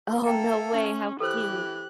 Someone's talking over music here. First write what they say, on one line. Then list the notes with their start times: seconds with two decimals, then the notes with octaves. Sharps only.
Oh, no way, how cute.
0.23 A#3 A4 E5 G5 A#5
0.73 C#4
1.20 E3 G4 A4 B4 C5 F#6